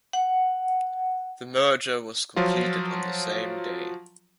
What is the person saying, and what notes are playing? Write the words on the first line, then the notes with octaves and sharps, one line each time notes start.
The merger was completed on that same day.
F#5
F3 F#3 F4